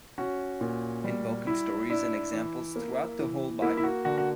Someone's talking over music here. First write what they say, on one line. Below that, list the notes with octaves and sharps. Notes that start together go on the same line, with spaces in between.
Invoking stories and examples throughout the whole Bible.
C#4 F#4
A#2
G3
E4
D4 E4
E3
A#3
E3
A#3 E4
E4
F#4
D3 F#4
F#4